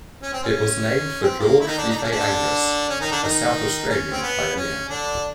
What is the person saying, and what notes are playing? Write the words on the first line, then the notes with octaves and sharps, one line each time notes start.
It was named for George Fife Angas, a South Australian pioneer.
C#4
C4
C#4
C4
A#3
E4
D#3 D#4
D3 D4
D#4
D4
C#4
D3 D4
C#4
D#3 D#4
D3 D4
D#3 D#4
C#4
C4
B3
C#4
D3 D4